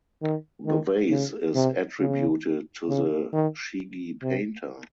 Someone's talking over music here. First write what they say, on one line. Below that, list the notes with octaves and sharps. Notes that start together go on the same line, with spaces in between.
The vase is attributed to the Chigi Painter.
D#3
D#3
C#3
C3
C#3
C#3
D#3
C3